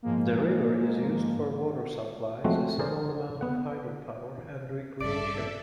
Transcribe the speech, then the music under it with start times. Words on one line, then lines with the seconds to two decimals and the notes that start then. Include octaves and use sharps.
The river is used for water supplies, a small amount of hydropower, and recreation.
0.03 G#2 F3 G#3 A#3
2.44 F3 G#3 A3 C4 F#4
2.79 G#4 A#4 C5 D5
3.41 B3 F#5
5.01 A1 G2 A4 D5 E5 D6